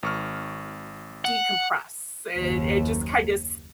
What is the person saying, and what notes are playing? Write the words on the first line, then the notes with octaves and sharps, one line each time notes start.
decompress. It it just kind of, s
G#1 C#6 F6
F#5
F#1 D#2